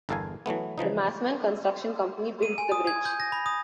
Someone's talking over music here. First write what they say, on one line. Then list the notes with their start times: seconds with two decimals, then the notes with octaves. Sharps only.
The Massman Construction Company built the bridge.
0.09 G1 E2 A4 A#4 F5 G#5
0.46 E3 F#3 A3 B3
0.78 C#3 E3 F3 D#4
2.43 D#7
2.58 G#5
2.72 D#6
2.87 G#6
3.05 G6
3.20 A#6
3.32 B5
3.46 D#6